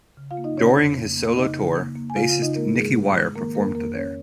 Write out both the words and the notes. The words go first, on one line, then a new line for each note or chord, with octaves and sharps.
During his solo tour, bassist Nicky Wire performed there.
C#3
F4 F5
A#3
D#4 D#5
C#3 C#4 C#5
F2
A#3
A#3
C#3 D#4 D#5
C#3
A#3
A#3
G#5
C#3 F4 F5
F4 F5
C#3
D#4 D#5
G#3 A#3 A#4
G#2 G#3 G#4
G#3
G#3
D#3 A#3 A#4
F2 A#3 A#4
F2 A#3 A#4
A#3 C#4 C#5